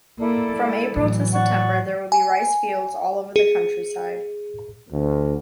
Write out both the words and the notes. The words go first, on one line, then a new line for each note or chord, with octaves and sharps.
From April to September there will be rice fields all over the countryside.
A#3 E4 A4 D5
G#3
A2 E3 F#3
D5 F#5 C#6
G#5
G#4
D2